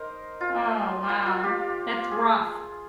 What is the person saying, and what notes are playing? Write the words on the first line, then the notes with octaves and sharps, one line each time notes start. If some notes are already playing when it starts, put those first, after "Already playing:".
Oh, wow, that's rough.
Already playing: D#4 A#4 C5 D#5
F4
F4
F4
G4
G#4